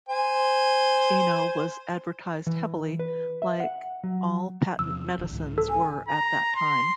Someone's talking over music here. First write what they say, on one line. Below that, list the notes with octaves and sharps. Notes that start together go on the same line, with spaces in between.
Eno was advertised heavily, like all patent medicines were at that time.
C5 G#5
E3
B4
E5
F#5
F#3
E2 C3 F3 E6
D1 D3
C2 G#2 E3
A4
G#5
A#5
C6